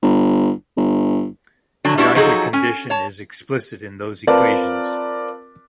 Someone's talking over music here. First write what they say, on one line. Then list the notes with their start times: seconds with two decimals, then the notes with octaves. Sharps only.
Neither condition is explicit in those equations.
0.03 G1
0.77 G1
1.85 D3 F#3 D4 G#5
1.98 G3 A3 B3 D4 E4 F#4
2.15 F3 F#3 D#4 F#4 G#4 A4
2.53 C#4 G#5
2.90 C#5 A5
4.27 C4 F4 A#4 B4 D5 A5